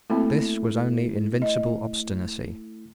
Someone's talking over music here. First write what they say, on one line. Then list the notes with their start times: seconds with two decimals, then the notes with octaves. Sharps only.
This was only invincible obstinacy.
0.10 A3 A#3 C4 E4 F#4
1.42 D#5